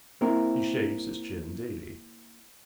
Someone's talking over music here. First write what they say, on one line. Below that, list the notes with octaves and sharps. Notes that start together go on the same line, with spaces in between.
He shaves his chin daily.
A#3 C4 E4 A#4